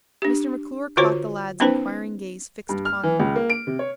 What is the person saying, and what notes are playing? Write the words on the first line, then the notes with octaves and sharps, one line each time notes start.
Mr. McClure caught the lad's inquiring gaze fixed upon him.
D4 G4
D3 F4 F#4 C5 C#5
B3 C#4 D#4 B4 C5
G2
F6
E3
C#2
A#3
D7
C3
C#5